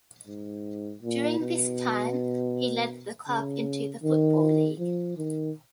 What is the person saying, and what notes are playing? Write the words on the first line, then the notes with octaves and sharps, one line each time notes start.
During this time, he led the club into the Football League.
G#2
A#2
B2
C#3
D#3
F3
D#3